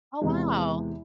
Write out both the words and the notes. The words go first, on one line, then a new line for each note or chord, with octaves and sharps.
Oh, wow!
E2 C3 E3 G#3 E4